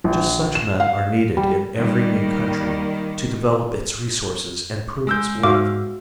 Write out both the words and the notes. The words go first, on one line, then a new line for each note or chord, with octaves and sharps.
Just such men are needed in every new country to develop its resources and prove its worth.
A#1
E7
F5
G3
D#3 G3 A#3
G#3 E6 G6
G#2 F#4 E5 F5 D6